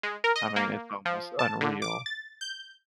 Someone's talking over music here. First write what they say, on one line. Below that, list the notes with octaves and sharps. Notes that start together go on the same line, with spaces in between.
I mean, it's almost unreal.
G#3
A#4
D#5
A#3
F3
A5
D3
D6
A6
G6